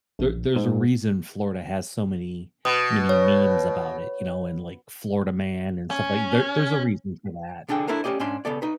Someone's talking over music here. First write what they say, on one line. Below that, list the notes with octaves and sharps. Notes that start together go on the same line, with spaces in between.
There there's a reason Florida has so many, many memes about it, you know, and like Florida man and stuff like there there's a reason for that,
A#1
G#2
B2 D#6
C#5
C#4
C2 D3 D4 G#4 G5
D4 E4 A4 A#4 C5
A3 C#4 G4 D5 D#5
G#2 C#4 D4 C6
C#3 B3 A4 D5
D#4 B4